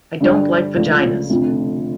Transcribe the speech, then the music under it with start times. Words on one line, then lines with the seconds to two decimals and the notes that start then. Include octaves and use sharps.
I don't like vaginas!
0.20 G2 D3 G3 D4
0.75 C#2 C#3 F3 A3 D4
1.30 F1 F2 D3